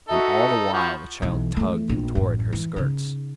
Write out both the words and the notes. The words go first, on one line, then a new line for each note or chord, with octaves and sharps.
And all the while the child tugged and tore at her skirts.
D#4 F#4 A4 E5
F3 F#4 B5
B1 E3
E3 A3
A#1 C#4
A1 F#2
E3
C#3 D#4